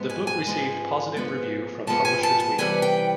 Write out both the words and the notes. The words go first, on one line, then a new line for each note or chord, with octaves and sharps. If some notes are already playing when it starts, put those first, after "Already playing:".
The book received positive review from Publishers Weekly.
Already playing: G#2 F3 G#3 B3
G#5
G#5
G#2 F3 G#3 B3
G#2 F3 G#3 B3
G#2 F3 G#3 B3 A5
G#5
A5
A5
C3 E3 G3 B3 G#5
G5